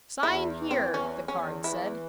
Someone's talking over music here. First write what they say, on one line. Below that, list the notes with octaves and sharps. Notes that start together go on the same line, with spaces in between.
Sign here, the card said.
E2 E4
E3
C4
E2 C#4
E2 C#4
E3 E4